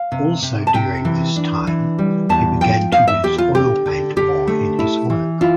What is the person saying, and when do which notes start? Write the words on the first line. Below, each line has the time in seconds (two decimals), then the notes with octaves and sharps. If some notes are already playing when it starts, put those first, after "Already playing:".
Also during this time, he began to use oil paint more in his work.
Already playing: F5
0.12 C3
0.43 C3
0.67 A5
0.74 C3 G5
1.05 E3
1.36 D4
1.67 E3
1.99 G3
2.29 E2 A5
2.61 F3 G5
2.92 E2 F5
3.08 E5
3.23 E2 G4
3.38 F4
3.55 D3 G4
3.86 D3
4.16 D3 G4
4.47 A3
4.79 E4
5.10 E3
5.41 E4 F4